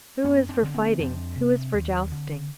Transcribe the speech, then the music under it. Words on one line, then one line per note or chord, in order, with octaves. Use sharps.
Who is for fighting, who is for jousting?
F#2 B3 C#4
C4 D4
D3 C4
B3 C#4
F2 C4 D4
C3
D#2
D3